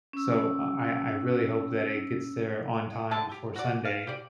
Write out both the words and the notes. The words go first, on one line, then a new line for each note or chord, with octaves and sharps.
so I I I really hope that it gets there on time before Sunday.
C#4 E6
D3 E5 A5
G4
F#4 D5
F5
G4 D5